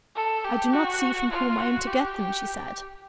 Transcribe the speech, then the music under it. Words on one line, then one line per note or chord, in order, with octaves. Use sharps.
"I do not see from whom I am to get them," she said.
A4
G4
F#4
F4
F#4
G4
G4